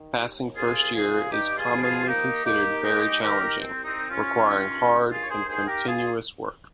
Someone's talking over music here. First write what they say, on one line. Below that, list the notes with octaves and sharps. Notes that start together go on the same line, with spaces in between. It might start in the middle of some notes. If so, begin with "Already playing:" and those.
Passing first year is commonly considered very challenging, requiring hard and continuous work.
Already playing: D#3
D#2
C2 F4 G#4
C2 F4 G#4
G2 D#4 G4
F4 G#4
F3
F4 G#4
A#3 D#4 G4
A#3 D#4 G4
G#3 D#4 G4
D#3 G4 A#4
C2 C4
C4 D#4
C2
C#4 F4
D#3
G2
D#2 F4 G#4
C#5
G#4 C5
D#2 G#4 C5
G4 A#4
F4 G#4